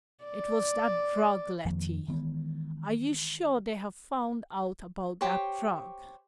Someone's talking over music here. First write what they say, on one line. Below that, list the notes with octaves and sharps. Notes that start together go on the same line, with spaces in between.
"It was that drug--Letty, are you sure they have found out about that drug?"
D5
F2 D#3 F3 A#3
D#3 E3 G#3 B3
G4 C5 C#5